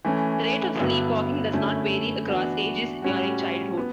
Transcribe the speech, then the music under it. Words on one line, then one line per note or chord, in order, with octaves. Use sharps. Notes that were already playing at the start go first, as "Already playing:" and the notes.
The rate of sleepwalking does not vary across ages during childhood.
E3 A3 C#4
G2 D3 F#3 B3 E4
F#2 D3 A3 C#4 E4
E3 B3 D4 F#4
A2 G3 C#4 F#4
B3